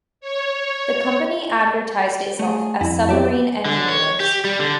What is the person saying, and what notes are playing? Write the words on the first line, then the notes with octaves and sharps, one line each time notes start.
The company advertised itself as 'Submarine Engineers'.
C#5
A3 G#4
F2 E4
F#3 G4 D5 E5
D3
C#5
G4
G3
D3